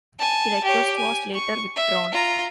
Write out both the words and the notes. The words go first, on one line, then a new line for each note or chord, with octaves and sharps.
The request was later withdrawn.
G#5 A5
G4 C#5
G#5
C#6
E5
F4 A#5